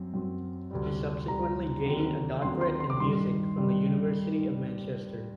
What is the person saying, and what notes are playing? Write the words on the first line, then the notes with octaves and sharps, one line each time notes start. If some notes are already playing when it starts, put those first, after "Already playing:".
He subsequently gained a doctorate in music from the University of Manchester.
Already playing: F#2 F#3 C4
F#2 F#3 C4
D2 C3 G3
D2 C3 G3 A#5
D#2 D3 F#3 C4
D#2 D3 F#3 C4 C6
C6
C6
D6
G2 D#3 G3 C6
G2 D#3 G3